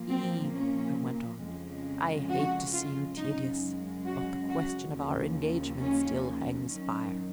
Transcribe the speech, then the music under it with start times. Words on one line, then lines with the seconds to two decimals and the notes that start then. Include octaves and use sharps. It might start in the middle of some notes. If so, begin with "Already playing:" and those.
"Eve," I went on, "I hate to seem tedious--but the question of our engagement still hangs fire."
Already playing: A#2 F3 A#3
0.09 C4
0.53 C#4
1.41 F2 C#3 F3 G#3
2.29 F#4
2.73 F4
3.17 F#2 C#3 G#3 D#4
4.05 F#4
4.49 F#4
4.92 D#2 C#3 F3 A#3
5.81 C#4
6.68 F#2 D#3 F#3 C#4